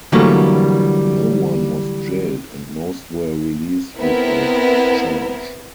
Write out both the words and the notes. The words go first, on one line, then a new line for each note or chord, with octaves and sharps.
No one was jailed and most were released without charge.
D3 E3 F#3 G3 A3 A#3
B3 C4 E4 A#4